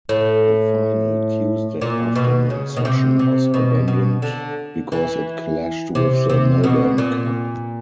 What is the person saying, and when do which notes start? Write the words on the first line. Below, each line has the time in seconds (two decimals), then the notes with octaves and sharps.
The final Tuesday afternoon session was abandoned, because it clashed with the Melbourne Cup.
0.09 A2
1.81 A#2
2.16 B2
2.50 C#3
2.77 B2
2.85 C3
3.19 C3
3.54 B2
3.88 B2
4.22 D3
4.92 E3
5.95 C3
6.29 C3
6.64 B2
6.98 A#2